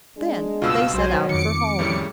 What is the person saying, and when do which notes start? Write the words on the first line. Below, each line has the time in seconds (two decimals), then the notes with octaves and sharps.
Then they set out for home.
0.17 G#3 D4
0.62 C#2 G2 B2 F4 F5 E6
0.94 B1 F#3 C5 G#5
1.29 F2 D#3 D6 C#7
1.79 F#2 A2 C#3 G3